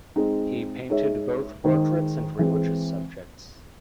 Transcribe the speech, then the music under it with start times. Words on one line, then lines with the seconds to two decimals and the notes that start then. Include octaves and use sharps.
He painted both portraits and religious subjects.
0.16 G#3 C4 D#4
0.90 G#3 D#4 G#4 C#5 E5
1.64 D#3 G#3 D#4 G#4 C5
2.39 E3 G#3 C4